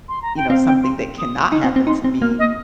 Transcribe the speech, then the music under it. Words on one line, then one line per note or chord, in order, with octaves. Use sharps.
you know, something that cannot happen to me
C6
A#5
G5
C4 F5
G5
C6
D#6
D#4
C4
C4
D#4 C6
C4
A#3 F6
D#5